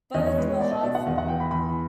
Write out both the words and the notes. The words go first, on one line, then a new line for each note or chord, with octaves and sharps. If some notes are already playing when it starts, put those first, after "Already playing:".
Both were hard fought.
E2 D#5
C#5
G#3 B4
C#5
B3 D5
D#5
B2 D5
F#5
E2 F5
F#5
E3 G5
B5
E2 B5